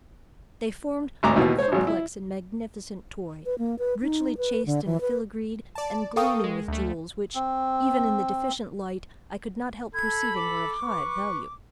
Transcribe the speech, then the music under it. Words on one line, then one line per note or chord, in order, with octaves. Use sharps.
They formed a complex and magnificent toy, richly chased and filigreed, and gleaming with jewels, which, even in the deficient light, I could not help perceiving were of high value.
G#1 D2 A#5 D6
D#2 B2 E3
C5 C#5
G#1 F#3
E4
B4
A#3
B4
D#4
B4
D3
E3
B4
D5 A5
A4 A#4 F5 G5 C#6 D#6
G#3
D2 A3
C4
A4 B5 G#6
D6
B4 C#6